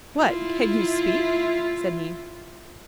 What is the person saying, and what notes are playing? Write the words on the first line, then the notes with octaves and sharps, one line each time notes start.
'What! can you speak?' said he.
E4 F4